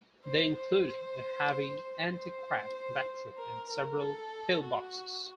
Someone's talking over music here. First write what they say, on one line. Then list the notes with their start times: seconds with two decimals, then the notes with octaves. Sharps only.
They included a heavy anti-aircraft battery and several pillboxes.
0.24 C5
0.56 C5
2.13 C5
3.38 A#4
3.69 A#4
4.01 A4
4.63 F#4